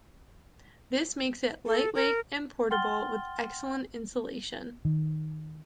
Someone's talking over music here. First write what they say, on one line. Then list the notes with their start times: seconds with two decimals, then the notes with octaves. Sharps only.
This makes it lightweight and portable with excellent insulation.
1.66 A4
1.95 A#4
2.71 F#5 G5 C6 F6 A6 G7
4.85 D#3